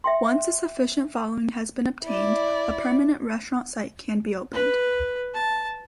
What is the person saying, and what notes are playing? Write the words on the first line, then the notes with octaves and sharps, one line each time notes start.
Once a sufficient following has been obtained, a permanent restaurant site can be opened.
E5 G5 C6
E4 D5
B4
A5